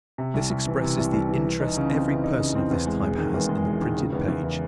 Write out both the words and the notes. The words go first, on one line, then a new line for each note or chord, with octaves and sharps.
This expresses the interest every person of this type has in the printed page.
C3
C2
C2
E3
C3
C2
C2
E3
E3
D#4
C#3
C4
E3
D#4
C#3
C4
E2
G#3
E1
D#3
E2
G#3
E1
D#3
C#3
E2
E2
E3